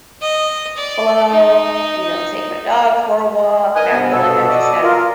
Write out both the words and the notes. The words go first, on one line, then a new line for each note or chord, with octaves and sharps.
hello, you know, take my dog for a walk, and I feel like I've just gotta
D#5
D5
D#4
A#4 B4 D#5 G#5
G2 C3 B3
B2 A4
D5 D#5
F4 A#4